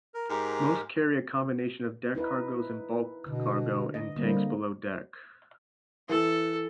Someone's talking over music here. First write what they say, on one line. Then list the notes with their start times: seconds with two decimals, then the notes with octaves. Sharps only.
Most carry a combination of deck cargoes and bulk cargo in tanks below deck.
0.14 A#4
0.30 G#2 G#3 G4 A#4
2.15 D#4 E4 B4
3.26 B2 D3
3.94 D#5
4.16 D3 G3 A#3 C4
6.09 E3 A4